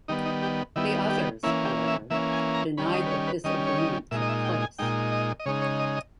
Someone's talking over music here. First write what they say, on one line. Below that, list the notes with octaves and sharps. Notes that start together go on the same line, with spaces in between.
The others, however, denied that this agreement took place.
D#3 G3 B3 D#4
D#4
G4
D#3 G3 B3 E4
G4
E3 A#3 C#4 E4
G4
E5
E3 A#3 C#4 E5
G#5
A#5
D#3 G3 C#4 B5
D#5
B4
C#5
B4
D#3 G3 C#4 D#5
C#5
D#5
A#2 G#3 D#4 E5
D#5
E5
G5
G#5
A#2 G#3 D#4 G5
D#5
D#5
C#3 G#3 D#4 C#5
C#5
D#5
D#5